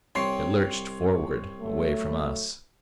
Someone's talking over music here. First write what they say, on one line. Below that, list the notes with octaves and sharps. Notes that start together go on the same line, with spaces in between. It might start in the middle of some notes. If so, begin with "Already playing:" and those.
It lurched forward--away from us.
C2 C3 C#5 G5 C6 C7
F#3 A3